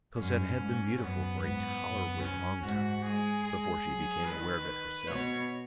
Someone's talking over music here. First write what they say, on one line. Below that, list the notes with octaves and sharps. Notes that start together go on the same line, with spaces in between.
Cosette had been beautiful for a tolerably long time before she became aware of it herself.
F#2 C#4
G#2
F#2 B3
G#2 B3
F#2
C#4
G#2 F#4
G#3 G#4
G#4
F#3
D#3 B4
B2 C#5